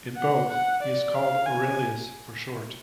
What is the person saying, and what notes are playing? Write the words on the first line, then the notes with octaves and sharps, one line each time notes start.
In both he is called "Aurelius" for short.
F#5
F#5
D5
F5
G#5